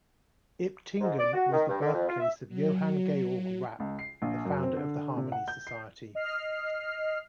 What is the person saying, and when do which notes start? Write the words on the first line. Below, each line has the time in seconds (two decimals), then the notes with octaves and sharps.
Iptingen was the birthplace of Johann Georg Rapp, the founder of the Harmony Society.
1.01 G#2
1.19 D5
1.34 F#4
1.52 D#3
1.69 G2
1.82 D3
1.93 F2
2.08 F4
2.20 E5
2.49 F#3
3.80 C#2
3.99 C7
4.22 A#1
4.45 F#2
4.63 C4
4.77 D3
5.17 C3
5.32 F#5
5.48 G6
5.67 C7
6.15 D#5 F6 C7